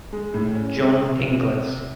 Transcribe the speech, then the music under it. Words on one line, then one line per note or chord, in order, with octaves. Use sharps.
John Inglis.
G#3
A2
C#4
G#3
C3
C3
C3